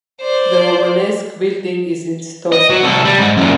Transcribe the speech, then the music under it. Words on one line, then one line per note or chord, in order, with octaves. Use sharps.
The Romanesque building is in stone.
C5 D5
D#5
F#3
C2 A4
G3
G#2
F#2 A#2